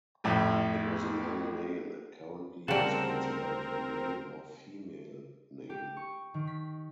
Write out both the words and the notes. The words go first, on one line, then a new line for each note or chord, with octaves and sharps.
It was a male name and currently is considered a male or female name.
A1 F2 A2
D2 C#3 G3 C4 A#4 F#5 A5
G4
C#6
D#3
B6